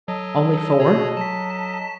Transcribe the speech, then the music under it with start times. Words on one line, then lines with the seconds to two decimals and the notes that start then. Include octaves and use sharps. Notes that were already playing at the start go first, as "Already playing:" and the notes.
Only four?
0.08 F#3 A4 D#5
0.80 B2 G#4 C#5
1.17 F#3 A5 B6